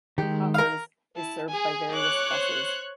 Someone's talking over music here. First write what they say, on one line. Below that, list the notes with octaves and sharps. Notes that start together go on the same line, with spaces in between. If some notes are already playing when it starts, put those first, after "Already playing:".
Hoppers is served by various buses.
D#3 G#3 G4
A#4 F5
E4 A5
G#4 G#5
C#5 D6 F#6
C5